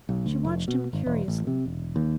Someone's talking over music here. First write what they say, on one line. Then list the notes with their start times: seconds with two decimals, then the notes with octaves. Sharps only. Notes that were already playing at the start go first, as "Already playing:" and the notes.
She watched him curiously.
0.09 B1
0.26 D2
0.45 F1
0.68 B2
0.93 G#1
1.06 E1
1.28 A1
1.47 C3
1.66 E1
1.96 D#2